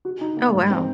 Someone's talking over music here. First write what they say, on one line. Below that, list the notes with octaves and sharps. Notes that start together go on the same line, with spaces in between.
Oh, wow.
F#4
D#4
A#3
G#2
C4